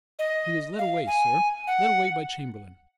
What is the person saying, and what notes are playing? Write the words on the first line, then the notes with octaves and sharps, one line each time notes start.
He was led away, sir, led away by Chamberlayne.
D#5
F5
G#5
F#5